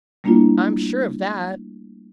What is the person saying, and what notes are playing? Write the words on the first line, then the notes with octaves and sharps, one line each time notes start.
I'm sure of that.
G3 A3 A#3 D4 E4 F4